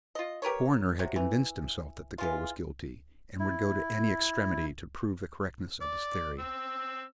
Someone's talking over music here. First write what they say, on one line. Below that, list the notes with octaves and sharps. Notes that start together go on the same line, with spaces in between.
The coroner had convinced himself that the girl was guilty, and would go to any extremity to prove the correctness of his theory.
F4 D#5
G4 A#4 B4 C#5
C3 F#3
E3
E3 G#3 F4
E4
D5
C4 E6